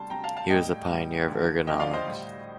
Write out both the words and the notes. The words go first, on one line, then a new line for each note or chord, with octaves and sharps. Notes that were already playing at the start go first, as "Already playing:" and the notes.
He was a pioneer of ergonomics.
Already playing: D2 C3 G3 A5 C6
D2 C3 G3 G5 A#5
F5 A5
F5 A5
A2 G3 D#5 G5
A2 G3
D2 D3 F3
D2 D3 F3 D#5 G5
D5 F5
C5 D#5
A2 G3